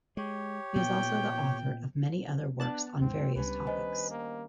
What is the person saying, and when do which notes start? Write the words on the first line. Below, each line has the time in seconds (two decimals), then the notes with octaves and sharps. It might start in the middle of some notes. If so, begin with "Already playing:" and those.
He is also the author of many other works on various topics.
0.17 G#3 G4 C#5
0.76 A#2 B3 G5
2.60 B3 D4 A5 F#6 A6
3.00 D#2 G#2 C4
3.36 C#2 G3 C#4 D4 B4
3.67 D#3 C5 D#5 G#5
4.11 A#3